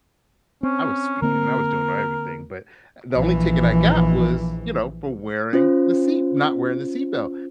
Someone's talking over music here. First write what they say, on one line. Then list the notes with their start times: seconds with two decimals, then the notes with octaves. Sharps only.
I was speeding, I was doing everything, but the only ticket I got was, you know, for wearing the seat not wearing the seat belt.
0.63 C4 C#4
1.22 D3 A#3 C4 A#4
3.15 A#1 E3
5.53 C#4 F4 C5